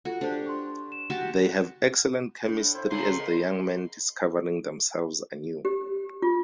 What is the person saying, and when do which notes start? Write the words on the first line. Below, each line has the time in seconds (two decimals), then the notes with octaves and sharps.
They have excellent chemistry as the young men discovering themselves anew.
0.05 F4 F#4 A4
0.21 D4 G4 A4 C5 A5
0.46 C6 C#6
0.92 E7
1.10 F#4 G4 A5
2.45 A2 D4
2.74 E4 C5
2.90 C#3 A3 B3 A#5 C6
3.19 A#4 D#5
5.65 G4
6.22 F4